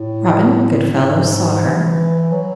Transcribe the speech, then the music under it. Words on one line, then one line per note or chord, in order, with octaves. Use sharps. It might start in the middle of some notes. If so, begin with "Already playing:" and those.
Robin Goodfelllow saw her.
Already playing: A2
A2
G#2
E3
F#3